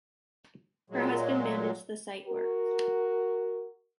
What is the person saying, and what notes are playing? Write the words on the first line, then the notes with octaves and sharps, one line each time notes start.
Her husband managed the site works.
A#2 F#3 G#3
F#4 A#4